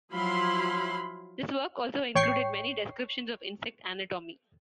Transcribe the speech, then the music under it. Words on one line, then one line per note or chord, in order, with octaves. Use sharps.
This work also included many descriptions of insect anatomy.
F3 F#3 E4 F5 B5 C6
A1 C#5 G5 C#6 C7